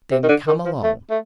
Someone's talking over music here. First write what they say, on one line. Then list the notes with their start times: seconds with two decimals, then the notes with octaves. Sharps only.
"Then come along."
0.12 C3
0.23 D#3
0.29 D3
0.48 D#3
0.65 F3
0.83 A3
1.10 A3